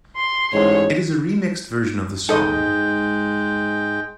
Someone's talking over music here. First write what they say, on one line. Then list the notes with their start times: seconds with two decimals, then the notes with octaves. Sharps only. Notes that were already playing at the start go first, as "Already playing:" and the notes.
It is a remixed version of the song.
0.16 C6
0.53 A1 G#2 G#3 C#5
2.29 G#2 G#3 D#4 A4 D#5 G5